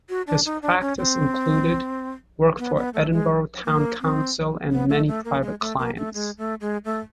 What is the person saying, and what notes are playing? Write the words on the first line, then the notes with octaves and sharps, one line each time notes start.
His practice included work for Edinburgh town council and many private clients.
F#4
D4
D#4
D4
C#4
C4
B3
B3
A3
G#3
A#3
C4
B3
A3
A3
A#3
G#3
A3
A#3
A3
G#3
A3
G#3
A3